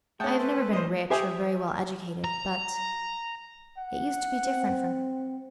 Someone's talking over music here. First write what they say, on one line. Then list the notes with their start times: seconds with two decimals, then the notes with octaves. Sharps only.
I have never been rich, or very well educated, but--it used to be different from now.
0.20 A3 C#4 G#4 E5 F#5 G5 A5
0.38 A4 B4 C5 A5
0.58 A3
0.73 A2 G3 A#3 C5 D#5
1.10 G4 C5 E5 G#5 D#6
2.24 A#5
3.78 F#5
4.45 C4